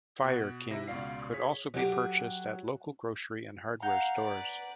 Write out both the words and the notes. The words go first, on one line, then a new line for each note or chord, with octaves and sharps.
Fire-King could also be purchased at local grocery and hardware stores.
B2 F#6
C3 E4 E5 A#6
C#2 B2 F4 D5 F5 C7
G#4 C#5 B6
F#3 G4
F5 F#5 A#5 G6
B4 D5